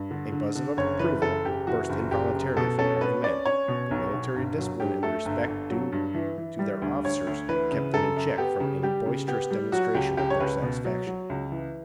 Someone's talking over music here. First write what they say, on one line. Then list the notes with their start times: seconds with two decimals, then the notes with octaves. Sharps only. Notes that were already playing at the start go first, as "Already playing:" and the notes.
A buzz of approval burst involuntarily from all the men, but military discipline and the respect due to their officers kept them in check from any boisterous demonstration of their satisfaction.
Already playing: G2
0.11 D3
0.32 D3
0.55 D3
0.77 F#1 C#5
0.99 E3 B4
1.22 F#1 A4
1.45 F#1 G4
1.67 E3 F#4
1.89 F#1
2.11 F#1 G4
2.34 F#2
2.57 B2 A4
2.79 C#4 A4
3.01 C#4 B4
3.23 C#4 D5
3.46 C#4 C#5
3.68 B2
3.91 B1
4.13 B1
4.36 G1
4.59 F#3
4.80 G2 G4
5.03 A3 A4
5.25 G1
5.47 G1
5.70 F#3
5.92 G2
6.14 E3
6.38 E3
6.59 G3
6.82 D2
7.04 D2 C#5
7.27 D2
7.49 E3 B4
7.71 C#3
7.94 F#2 A4
8.17 F#2
8.38 B3 G4
8.60 C#3
8.83 G3 G4
9.06 C#3
9.28 B3 G4
9.51 G3
9.72 F#3 F#4
9.94 C#2 G4
10.17 C#2 G4
10.30 C#5
10.40 C#2 B4
10.62 B2
10.85 F#3
11.07 F#3
11.30 C#2
11.52 E3